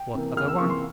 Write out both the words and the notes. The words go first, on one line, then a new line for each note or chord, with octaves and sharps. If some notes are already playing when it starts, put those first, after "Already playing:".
"What other one?"
Already playing: G5
C3 E3 A#3
C#2 F6
E6
C3 E3 A#3 C#6
C6